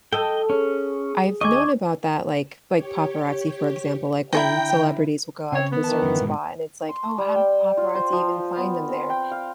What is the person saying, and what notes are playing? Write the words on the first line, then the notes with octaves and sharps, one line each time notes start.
I've known about that, like like paparazzi, for example, like, when celebrities will go out to a certain spot and it's, like, "Oh, how did the paparazzi even find them there?"
A4 D#5 G5
C#4 G#4
D#2 D#5 G#5 C#6 D6 G#6
G4 C#5
D3 E4 A4 G5 A#5
C#3 C4 C#5
B3
D#3 E3 A5
F#2 D3
G#2 B2 G#3
C6
G3
G5
F4
C5
F3
B3
C4
G5
F5